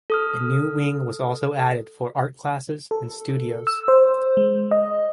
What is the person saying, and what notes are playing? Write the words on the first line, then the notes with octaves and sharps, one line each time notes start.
A new wing was also added for art classes and studios.
A4 D#6 F6
A4
E6
C5
G#3
D#5